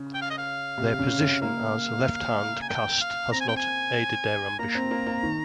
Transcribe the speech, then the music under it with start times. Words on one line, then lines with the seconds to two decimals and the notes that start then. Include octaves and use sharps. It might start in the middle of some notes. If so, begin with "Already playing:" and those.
Their position as a left-hand caste has not aided their ambition.
Already playing: C#3
0.14 G5
0.21 F5
0.30 D#5
0.38 F5
0.78 C3
0.99 C#3
1.21 C#3
1.41 A#3 F5
2.61 G#5
2.69 G5
3.01 F5
3.32 C4 A#5
3.40 G#5
3.49 G5
3.57 G#5
4.59 A#3 A#5
4.75 C4
4.91 A#3
5.07 A#3
5.23 D#3